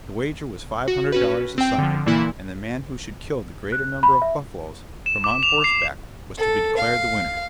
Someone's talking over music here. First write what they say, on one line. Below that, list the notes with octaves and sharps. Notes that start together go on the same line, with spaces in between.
The wager was five hundred dollars a side, and the man who should kill the greater number of buffaloes from on horseback was to be declared the winner.
F#4
C#4 F#4 B4
C4 G5
D3 F3
A#2 E3 A#3 E4 C6
F#6
B5
E5
E7
D6
F7
C7
A4
F5